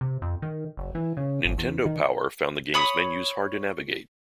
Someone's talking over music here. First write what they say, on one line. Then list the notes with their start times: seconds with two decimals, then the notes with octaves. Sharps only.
"Nintendo Power" found the game's menus hard to navigate.
0.01 C3
0.22 F2
0.42 D#3
0.77 F#1
0.95 E3
1.17 C#3
1.45 G#1
1.58 E2
1.86 D#3
2.74 C#5 B5 D#6